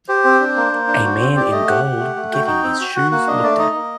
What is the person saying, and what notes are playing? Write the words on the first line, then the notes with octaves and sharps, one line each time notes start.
A man in gold getting his shoes looked at.
G4 C5
C4
D4
A#3
A#3
D4
F#4
C4
G4 D5
A3 D#5
G4 F#5
G4
A3
A3
F#4 G5
D#4 G5
C4
F#4
F#4 F#5
A#3 F#5
D4 D#5
A3 D5
D#4 D#5
A#3